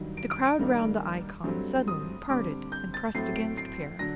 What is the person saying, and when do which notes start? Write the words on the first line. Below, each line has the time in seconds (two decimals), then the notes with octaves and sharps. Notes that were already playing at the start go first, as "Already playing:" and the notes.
The crowd round the icon suddenly parted and pressed against Pierre.
Already playing: G2 D#3 F#3
0.17 D7
0.31 D7
0.45 D7
0.59 G2 D#3 G3 A#3
1.44 G2 F#3 A3 C4
1.88 D#6
2.30 D3 G3 C4 D6
2.72 G6
2.94 A6
3.15 A2 F#3 A3 C4 C7
3.35 D7
3.57 C7
3.99 D3 F#3 A#6